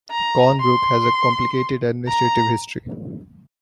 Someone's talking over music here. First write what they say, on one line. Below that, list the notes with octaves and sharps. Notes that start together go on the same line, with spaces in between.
Colnbrook has a complicated administrative history.
A#5
C6
A#5